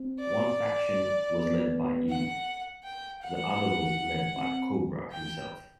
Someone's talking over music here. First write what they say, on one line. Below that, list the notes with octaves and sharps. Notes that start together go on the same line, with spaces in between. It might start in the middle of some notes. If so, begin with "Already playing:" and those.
One faction was led by Eve; the other was led by Kobra himself.
Already playing: C4
D5
B3
F#5
G5
F#5
C4
G5